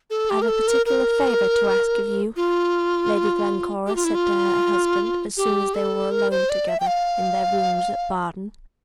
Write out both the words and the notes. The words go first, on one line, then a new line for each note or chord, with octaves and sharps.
"I've a particular favour to ask of you," Lady Glencora said to her husband, as soon as they were alone together in their rooms at Baden.
A4
G4
A#4
A4
A#4
A#4
F4
G4
F4
E4
F4
G4
A4
A#4
C5
D5
E5
G5
F5